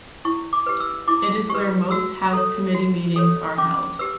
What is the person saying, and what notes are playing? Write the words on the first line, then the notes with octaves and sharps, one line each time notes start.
It is where most House committee meetings are held.
E4 C#6
D6
G4 B4
E6
E4 D6
G4 B4 C#6
F#4 E6
A4 C#5
F#4
A4 C#5
C#4 D6
G4 B4 E6